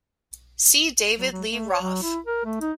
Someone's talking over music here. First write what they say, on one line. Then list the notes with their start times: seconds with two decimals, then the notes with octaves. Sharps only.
See David Lee Roth.
1.19 F#3
1.31 F#3
1.49 A3
1.69 C#5
1.81 F#3
2.02 E4
2.26 A#4
2.45 A3
2.61 D#4